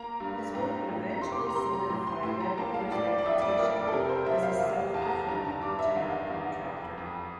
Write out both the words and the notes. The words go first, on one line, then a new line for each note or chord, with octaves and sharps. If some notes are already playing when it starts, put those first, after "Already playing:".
His work would eventually solidify Webcor's reputation as a self-performing general contractor.
Already playing: A#3 A#5
G2
A2 A#5
A2
A#5
C3 C6
D6
C6
A#5
C3 C6
A#5
A2 C6
C6
A2 C6
A#5
A#3 A5
F5
A2 D5
D5
D5
F2 E5
D5
F2 A#4
D5
A4
C3 A#4
C5
C3 E5
F5
E2 F5
E2 A5
A#5
A5
G2 A#5
A5
G2 D6
E5
E2 F5
E2
F2
F2